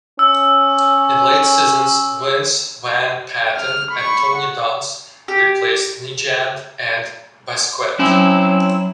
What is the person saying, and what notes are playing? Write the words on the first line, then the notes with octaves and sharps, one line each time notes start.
In later seasons, Vince Van Patten and Tony Dunst replaced Nejad and Busquet.
C#4 E6
F6
B5 C#6
F#5
G4
F#3 C4 C#4 E4